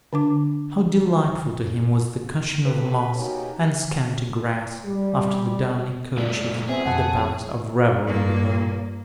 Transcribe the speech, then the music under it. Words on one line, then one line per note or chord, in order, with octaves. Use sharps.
How delightful to him was the cushion of moss and scanty grass after the downy couches of the palace of revelry below!
D3 D4 D6
D#2 G4 A4 B4
B2 A#3 C#4 D#4 F#4 G4
G3
F#2 A#2 G#3 A3 D5
B3 C4 G#4 E5
F2 F#5 A5
G2 A#3